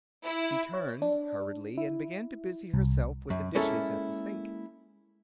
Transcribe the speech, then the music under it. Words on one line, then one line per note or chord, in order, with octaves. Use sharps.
She turned hurriedly and began to busy herself with the dishes at the sink.
E4
C#5
D4
E4
C2
F#2
G#3 A#3 C#4 E4 A4